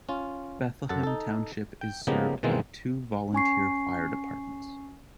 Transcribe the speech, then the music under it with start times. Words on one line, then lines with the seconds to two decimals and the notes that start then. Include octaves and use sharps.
Bethlehem Township is served by two volunteer fire departments.
0.09 C#4 F4
0.89 F#2 A4 F#5 A5
1.03 D#4 A4
1.81 G5
2.07 C#3 F3 A#3 B3 D#4 G4
2.43 B2 D#3 E3 G#3 A#3 C4
3.33 C#4 G#5 C#6 C7